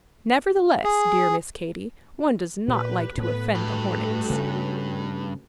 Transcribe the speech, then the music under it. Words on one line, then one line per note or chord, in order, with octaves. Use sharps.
"Nevertheless, dear Miss Katy, one does not like to offend the Hornets."
G#4
A#2 G4 B4
A2 B3 B4
G2 A3 F#4 B4
C#3